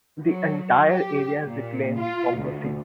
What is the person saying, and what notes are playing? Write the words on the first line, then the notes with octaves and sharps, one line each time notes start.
The entire area is reclaimed from the sea.
F#3
G4
A#2
F4
D2